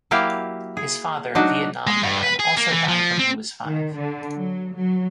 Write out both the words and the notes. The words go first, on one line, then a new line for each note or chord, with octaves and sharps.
His father, a Vietnam veteran, also died when he was five.
F#3 A#3 E4 G4 F5
G#4
F#3 D4 D#4 F#4
G#3
G2
B4
G#4
A#3
E3
F3
C4
D#3
D3
F#3
F#3